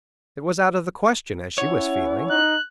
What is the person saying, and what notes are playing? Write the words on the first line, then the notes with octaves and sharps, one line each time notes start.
It was out of the question, as she was feeling.
C#4 E4 C#5 F#5
D#4 F#6